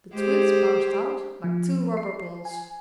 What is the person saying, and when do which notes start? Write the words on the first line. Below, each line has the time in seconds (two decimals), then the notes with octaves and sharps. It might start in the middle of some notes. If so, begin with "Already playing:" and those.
The Twins bounced out like two rubber balls.
0.14 G#3 G4 C5
1.44 F3
1.97 C7
2.45 G#5